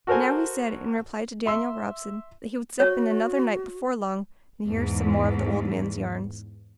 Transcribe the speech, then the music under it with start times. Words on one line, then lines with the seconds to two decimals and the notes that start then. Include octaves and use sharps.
But now he said, in reply to Daniel Robson, that he would step in another night before long and hear some more of the old man's yarns.
0.07 F#4 A4 A#4 C5 G#5
1.46 E5 C6 E6
2.80 F#4 C#5
4.68 E2 G#2